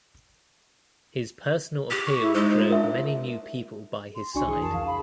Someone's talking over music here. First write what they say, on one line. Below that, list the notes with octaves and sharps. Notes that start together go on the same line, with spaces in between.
His personal appeal drove many new people by his side.
G4
C#6
E4
G#3 D#4 C5
F4
D4 A#4 E5
C6
C2 D4 F#4 G#5 C#6
E3 G#4
F2 A#4 A5
C#2 F5
B5